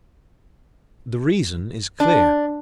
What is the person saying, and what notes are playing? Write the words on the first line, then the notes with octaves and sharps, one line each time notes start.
The reason is clear.
D4